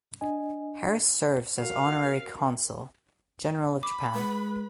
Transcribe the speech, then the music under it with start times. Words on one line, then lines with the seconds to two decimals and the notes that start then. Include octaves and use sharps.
Harris serves as Honorary Consul General of Japan.
0.21 D4 D#5 G#5
1.59 F#4 A#4 F5
3.83 B5 D6
4.14 G#3 B4